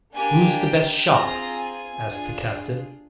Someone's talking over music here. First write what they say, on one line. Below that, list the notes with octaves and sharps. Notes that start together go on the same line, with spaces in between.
"Who's the best shot?" asked the captain.
A#3 D4 G4 G#5
G5
C4 F4 G#4 A#5
G#5
D4 F4 G#4